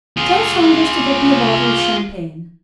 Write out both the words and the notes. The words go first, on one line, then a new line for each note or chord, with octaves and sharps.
Tell Saunders to get me a bottle of champagne.
F4 G#4